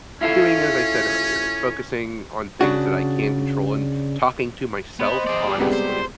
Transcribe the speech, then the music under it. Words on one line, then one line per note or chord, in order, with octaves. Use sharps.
doing as I said earlier, focusing on things that I can control and talking to myself honestly,
C#4 E4 F4 A4
C#3 D4 F#4
B3 C5 D#5
G#4 D5
G4
C2 F#2 C3 G3 G#3 B3 G4
C5